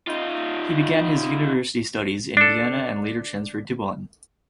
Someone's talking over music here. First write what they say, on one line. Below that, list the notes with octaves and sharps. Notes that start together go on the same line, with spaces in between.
He began his university studies in Vienna and later transferred to Bonn.
D#4 F4
D4 A4